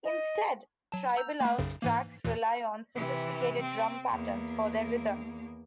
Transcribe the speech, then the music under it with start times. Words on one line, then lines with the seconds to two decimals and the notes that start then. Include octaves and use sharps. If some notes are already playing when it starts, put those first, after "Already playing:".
Instead, tribal house tracks rely on sophisticated drum patterns for their rhythm.
0.04 D#5
0.92 F#3 A5
1.16 A#5 E6 G6
1.41 A3 A#3
1.58 B1 F#2 C#3
1.82 G#2 E3 A#3
2.24 D#2 A#2 E3
2.95 C3 E3
3.61 C4
4.11 E2 A#3